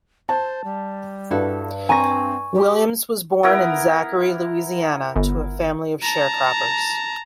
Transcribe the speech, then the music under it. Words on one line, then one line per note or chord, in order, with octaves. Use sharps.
Williams was born in Zachary, Louisiana, to a family of sharecroppers.
C5 A5
G3
G2 E4 F#4 A4
C4 G#5 A#5 C#6 A#6
G4
B3 E4 A#4
G1
A5 A#5